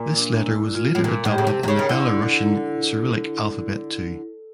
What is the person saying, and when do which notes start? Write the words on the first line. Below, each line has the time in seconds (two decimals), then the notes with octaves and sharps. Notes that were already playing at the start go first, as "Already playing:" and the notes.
This letter was later adopted in the Belarusian Cyrillic alphabet too.
Already playing: A#2
0.18 D4
0.46 E4
0.75 F4
0.95 A2
1.04 A#2
1.25 A2
1.32 G4
1.38 C#3
1.47 C3
1.63 C3
1.68 C#3
1.79 D#3
1.89 D3 E4